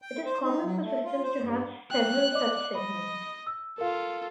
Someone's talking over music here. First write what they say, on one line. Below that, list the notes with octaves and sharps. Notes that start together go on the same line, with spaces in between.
It is common for systems to have several such segments.
G5
C5
D#4
F#3
A3
F4
C5
G2
G5 F#6
D5 D#5 D6
D#5 B5
E6
F4 A4 A#4 F5